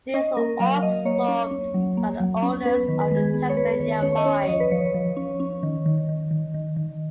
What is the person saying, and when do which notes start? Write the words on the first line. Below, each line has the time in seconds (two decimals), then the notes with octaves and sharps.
These were all absorbed by the owners of the "Tasmania mine".
0.14 C#4 D#5
0.37 A#3 A#4
0.60 F#3 F5
0.82 F#3 D#5
1.05 A#3 C#5
1.28 C#4
1.51 C#4
1.74 F#3
1.97 A#3
2.20 F#3
2.43 C#4
2.65 B3 B4
2.88 D#3
3.00 B4
3.11 G#3
3.17 G#4
3.34 B3
3.49 C#5
3.57 B3 B4
3.80 D#3 C#5
4.02 C#4 C#5
4.18 D#5
4.25 C#4 C#5
4.44 C#5
4.48 F3 D#5
4.60 B4
4.71 F3 C#5
4.94 F3
5.17 C#4
5.40 C#4
5.63 D#3
5.86 D#3
6.09 D#3
6.31 D#3
6.54 D#3
6.76 D#3